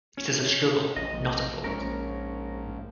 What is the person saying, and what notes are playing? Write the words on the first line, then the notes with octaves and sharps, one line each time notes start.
It is a struggle, not a thought.
C#4
A#1 D#5
A#1 G#2 C#4 A#4